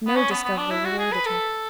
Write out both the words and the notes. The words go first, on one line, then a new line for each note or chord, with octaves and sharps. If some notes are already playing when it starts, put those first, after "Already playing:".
No discovery rewarded her.
B3
C#4
B3
B3
D4
E4
F#4
G#4
B4
A4